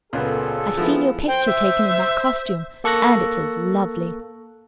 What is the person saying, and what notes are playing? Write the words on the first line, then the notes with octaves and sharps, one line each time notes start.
"I've seen your picture taken in that costume, and it is lovely."
C#2 A#2 B3 G#4 A4
F3 B3 E4
C5 G5
E5
A#3 A4 C#6 F#6 A#6